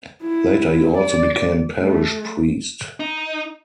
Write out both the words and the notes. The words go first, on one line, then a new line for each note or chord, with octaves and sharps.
Later he also became parish priest.
E4
D5
A3
D#4